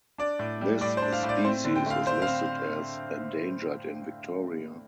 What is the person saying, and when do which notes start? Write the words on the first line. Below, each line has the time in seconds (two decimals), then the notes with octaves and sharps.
This species is listed as "endangered" in Victoria.
0.18 D4 D5
0.39 A2
0.61 G3
0.81 A2 D5
0.97 C5
1.02 D4
1.12 F5
1.23 A2
1.29 D5
1.44 C4 C5
1.64 D3
1.76 G5
1.86 A3 F5
2.07 D3 C5
2.22 F5
2.27 C4